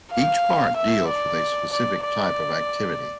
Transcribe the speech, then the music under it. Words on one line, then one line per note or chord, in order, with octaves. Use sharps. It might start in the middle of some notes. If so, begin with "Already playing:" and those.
Each part deals with a specific type of activity.
F5
E5
D5
D5
D5